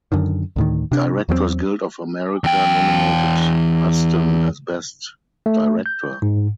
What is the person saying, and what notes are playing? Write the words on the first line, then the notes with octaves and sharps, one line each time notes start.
Directors Guild of America nominated Huston as best director.
F#2 D3 D#3
D2 A2 D#3
C3 D4
E2 F#3 G3 C4
E2 G5
A3
G6
G#2